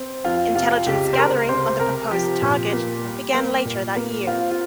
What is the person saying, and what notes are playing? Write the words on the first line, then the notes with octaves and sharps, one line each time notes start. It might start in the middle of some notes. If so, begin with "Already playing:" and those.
Intelligence gathering on the proposed target began later that year.
Already playing: C4
F2 F4
C3 F4
C#2 G4
C5
C#2 A#4
C3 C5
C3 A#4
F3 G4
A#2
A#3
G3
A#3
A#2
A#3
C4 F4
F4